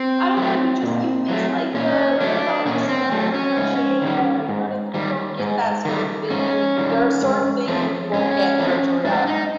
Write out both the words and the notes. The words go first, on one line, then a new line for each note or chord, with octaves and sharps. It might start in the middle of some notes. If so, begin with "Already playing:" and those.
I don't know, you just you miss, like, the what about, like, smelling the fresh air? You know what I mean? You don't get that sort of thing. There are certain things that you won't get in virtual reality.
Already playing: C4
F#3 A3
A#2
F#3 A3
A#2 C#4
F#3 A3 D4
A#2 C#4
C4
F#3 A3
C#4
G#2
D#3 G3
G#2
D#3 G3
G#2
D#3 G3
G#2 C#4
D#3 G3
G#2
F3 A3 C4
G#2 C#4
F3 A3 C4
G#2 D4
D#4